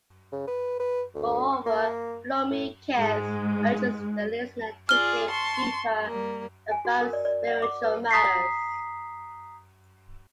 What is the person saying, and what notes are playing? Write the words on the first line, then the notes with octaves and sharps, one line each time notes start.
Moreover, "Blow Me a Kiss" urges the listener to think deeper about spiritual matters.
C#3
B4
B4
D2
A#3
A2
G#2 G#3
F4 G#4 D5 F6 G7
A5 C6 C#6
G3 A#3
G#5
F#4
A#4
D5
D5
F#5
D6
B4
A#5 D#6 B6 C7